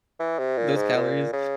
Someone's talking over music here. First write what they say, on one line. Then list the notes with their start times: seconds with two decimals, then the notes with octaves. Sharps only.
Those calories,
0.20 E3
0.39 C3
0.58 A#2
0.76 G#2
0.95 A#2
1.33 C#3